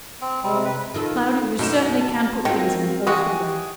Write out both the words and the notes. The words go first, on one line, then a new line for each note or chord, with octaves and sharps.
Cloudy, you certainly can put things in an awkward way.
C4
C3 G3 G#3 C4
B4
D#3 F4 A4
F#2 B2 D#4 E7
A5
D#3 G#3 C4 F4 F#4 A#4
E3 G#3 F#4 G4 F5 G#5 D#6